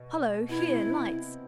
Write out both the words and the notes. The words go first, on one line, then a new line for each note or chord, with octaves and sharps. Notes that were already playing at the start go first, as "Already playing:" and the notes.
Hollo, here, lights!
Already playing: B2
B2 B3 E4
C3 C4